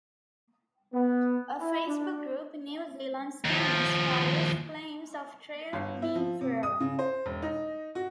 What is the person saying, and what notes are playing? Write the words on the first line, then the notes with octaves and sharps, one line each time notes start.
A Facebook Group New Zealand scammers files claims of Trade Me fraud.
B3
E4
D4
D#2 F3
G1
E4
F3
C3
D#6
C#3
C5
E1
D#4
F#4